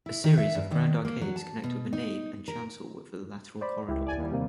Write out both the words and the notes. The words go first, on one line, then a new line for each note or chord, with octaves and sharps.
A series of grand arcades connect the nave and chancel with the lateral corridor.
E4
D#3
E5
G2
D#3
A#3
F#3
A5
B2
D#4
A#4
C5 D5 B5
C#2 E4 G4
D5 G#5
D#2 G3
D2 C3 A#3